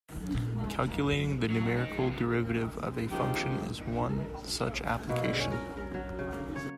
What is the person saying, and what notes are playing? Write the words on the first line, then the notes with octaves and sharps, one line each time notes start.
Calculating the numerical derivative of a function is one such application.
F#3
A#2
E2
F#2
F#2
F#3
D#3 D#4
A2 F4
C#3 B3
D#3 F3 G#3 G4
B2
D3
C#4
A#4
A#4
F#3
C#3
A#3
C#5